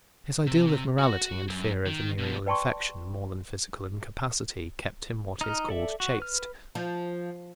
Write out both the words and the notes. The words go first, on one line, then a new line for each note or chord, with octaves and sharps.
His ideal of morality and fear of venereal infection, more than physical incapacity, kept him what is called chaste.
C3
F#4 F#5
F#2
D#3
B2 F3
B4 D5 G5 A5 C6 C#6
D#4 F6
A4 D5 E5
F#4
B4 F6
F3